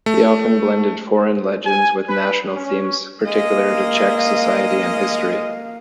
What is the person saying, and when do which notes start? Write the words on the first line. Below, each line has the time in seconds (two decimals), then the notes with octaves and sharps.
He often blended foreign legends with national themes particular to Czech society and history.
0.06 A3
1.65 G#5
2.08 B4
2.56 C#4
3.25 G#3 A#3 D#5 F5